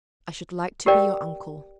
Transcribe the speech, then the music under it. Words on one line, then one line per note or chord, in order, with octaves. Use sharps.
I should like to be your uncle.'
G4 A#4 D5 G5